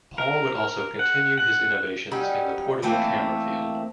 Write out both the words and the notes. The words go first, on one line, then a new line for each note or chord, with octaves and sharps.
Paul would also continue his innovations in the portable camera field.
A#4
F#5
F#5
F#3 G3 C#4 D#4
E3 A3 A#3 C4